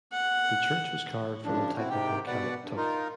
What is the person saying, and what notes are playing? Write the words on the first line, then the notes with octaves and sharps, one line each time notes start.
The church was carved from a type of volcanic tuff.
F#5
F#2 C#3 F3 D4
C4 E4 F#4
G#2 C3 D#3 G4 G5
B2 B4 D5 F#5
G2
D#4 F4 A#4